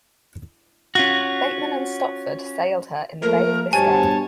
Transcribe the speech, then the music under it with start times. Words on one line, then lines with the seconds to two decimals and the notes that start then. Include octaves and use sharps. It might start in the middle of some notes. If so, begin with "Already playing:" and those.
Bateman and Stopford sailed her in the Bay of Biscay.
0.95 C#4 F4 F#4
3.22 F3 A3 A#3 A#4
3.73 G2 B2 G4 C5 C#5 G#5 A5